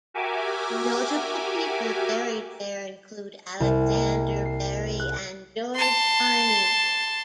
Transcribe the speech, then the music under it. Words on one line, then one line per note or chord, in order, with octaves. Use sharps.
Notable people buried there include Alexander Berry and George Barney.
F#4 G4 A#4 E5 G#5 D6
C2
A#3
C7
F#6
A5 C6